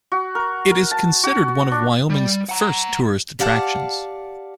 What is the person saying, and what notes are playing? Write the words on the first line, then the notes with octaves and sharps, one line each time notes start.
It is considered one of Wyoming's first tourist attractions.
F#4
A#4
A#4
A5
F#4
D4
G3
F#5 A#5
G4 D5 F5 F#5 A5